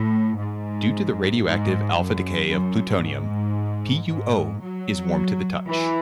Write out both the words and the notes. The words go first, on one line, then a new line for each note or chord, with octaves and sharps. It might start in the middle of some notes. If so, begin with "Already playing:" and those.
Due to the radioactive alpha decay of plutonium, PuO is warm to the touch.
Already playing: A2
G#2
G#2
F#2
F#2
G#2
G#2
F#3
E3